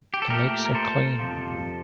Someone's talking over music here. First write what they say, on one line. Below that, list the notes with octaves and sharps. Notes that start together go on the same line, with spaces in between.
The legs are clean.
G4
A4
A#2 A3 G4 A#4
A#4
A4 C5
F2 C3 F3